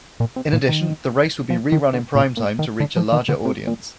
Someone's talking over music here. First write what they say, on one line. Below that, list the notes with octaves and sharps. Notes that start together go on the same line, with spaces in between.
In addition, the race would be rerun in primetime to reach a larger audience.
A#2
C3
A#2
D#3
F3
D#3
D3
A#2
A#2
D#3
D3
F3
D#3
D3
C3
A#2